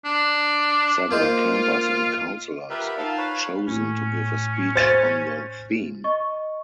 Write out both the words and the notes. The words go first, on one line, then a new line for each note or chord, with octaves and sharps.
Several campers and counselors are chosen to give a speech on the theme.
D4
A#3 F4 C5 D#5
F4 G4 A#4 B4 E5
F#5 B5
D#4 F4 F5 A5
B4 C#5 B5
A2 C#4
C5 A6
D#5 C#6